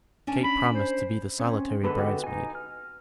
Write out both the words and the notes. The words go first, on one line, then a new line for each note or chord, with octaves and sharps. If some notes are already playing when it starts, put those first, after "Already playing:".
Kate promised to be the solitary bridesmaid.
C#4 D4 G#5
B5
C5
C4 C#4
D3 G#3 B3 A4 B4
F#4 G4
D#4 G#5
F6